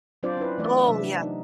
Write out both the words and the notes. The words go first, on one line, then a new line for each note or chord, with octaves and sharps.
Oh, yeah.
F#3 C4 D4 F4 C5 D5
C#4 E4 B4
E3 A3 D5
C3 F#3 D4 E5
D4
D#4